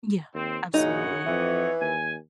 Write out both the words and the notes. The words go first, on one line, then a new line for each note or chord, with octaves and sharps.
Yeah. Absolutely.
D#2 C4
A#1 F#2 C#3 D#4 C#5 D#5 F#5
F2 E3
D#2 G#5